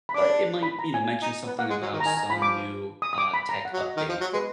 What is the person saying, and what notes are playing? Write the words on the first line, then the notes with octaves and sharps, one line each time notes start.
but it might, you know, mention something about some new, uh, tech update,
B5
D4 D6
B5
A#5
G#5
D#4
B3
A#3 F#5
G#3
F#3
D#3
A#5
D#3 G#5
A#5
F3 B5
D6
D#6
D#6
D6
B5
A#5
F#5
F#3
D#5
D#3
F3
F#3
G#3 B4